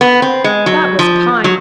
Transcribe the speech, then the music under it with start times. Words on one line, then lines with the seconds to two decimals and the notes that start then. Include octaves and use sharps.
That was kind.
0.01 B3
0.22 C4
0.44 G#3
0.66 F#3
0.99 F3
1.44 F#3